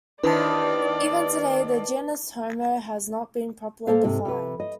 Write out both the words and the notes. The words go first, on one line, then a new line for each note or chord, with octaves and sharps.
Even today, the genus "Homo" has not been properly defined.
D#2 D#3 D4 E4 B4 C5 D5 A5
A#2 A#3 A4 C5 F5
G#2 C3
C3 B4
D#5